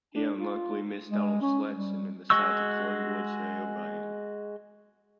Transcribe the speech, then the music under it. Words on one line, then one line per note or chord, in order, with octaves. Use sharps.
He unluckily missed out on selection in the side to Collingwood's Harry O'Brien.
D4
F4
G#3
C#4
G3
G#3 F#4 D#5 C#6 E6